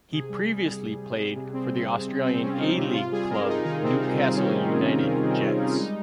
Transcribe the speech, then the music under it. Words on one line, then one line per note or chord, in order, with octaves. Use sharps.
He previously played for the Australian A-League club Newcastle United Jets.
C3 G#4
G3
C3
G3
G3
G3
G3
C3
G3 C4
C3
C3
C3
G3 C4
G3 C#4
F4
G3 D#4
C3 G4
C3 F4
G3 G#4
C3 A#4
C3 D#4
D#3 D#4
C3 C4
D#3 D#4
C3 C4
G3 C#4
C3
C3
C3
D#3
D#3
C3
G3
G#3 D#4